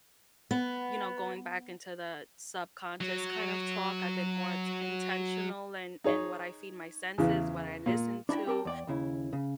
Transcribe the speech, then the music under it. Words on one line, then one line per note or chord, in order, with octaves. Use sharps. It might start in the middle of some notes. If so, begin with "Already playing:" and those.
you know, going back into the subconscious kind of talk, I've been more t intentional in in what I feed my senses, what I listen to.
B3
F#3 F#4
D#4 G#4 C#5
E2 C#3 E3
A#2
D4 E4 F#4 E5 G5
C4 G4 A#4 G5 A5
E2 D5 G5
D#2 C#3 E4
C#3